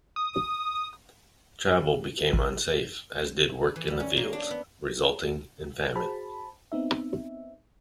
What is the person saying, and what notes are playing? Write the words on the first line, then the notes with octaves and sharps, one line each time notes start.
Travel became unsafe, as did work in the fields, resulting in famine.
D#6
A1
E3
G3
C#4
A#3
D4
B3
F#4 G#4 C5 A5 B5
B3 C4 D#4 E5